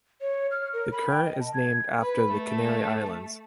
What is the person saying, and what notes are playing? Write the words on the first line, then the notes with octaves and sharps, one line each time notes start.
The current is named after the Canary Islands.
C#5
F6
A#4
B5
G5
D#5
A5
G#6
B4
A3